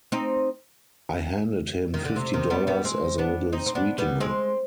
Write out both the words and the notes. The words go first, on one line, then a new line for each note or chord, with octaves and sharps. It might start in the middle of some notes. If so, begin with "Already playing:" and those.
I handed him fifty dollars as a little sweetener.
C4 D#4
D#3
D3
C3
C3 D#3
G3 B3
G3 B3
G#3 C4
B3 D4
C4 D#4
C4
B3 D4
G3 B3
G#3 C4